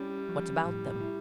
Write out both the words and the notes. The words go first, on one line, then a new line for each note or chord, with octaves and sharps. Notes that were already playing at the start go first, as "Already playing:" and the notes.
"What about them?"
Already playing: G3 C#4 E4
F3
A2
E4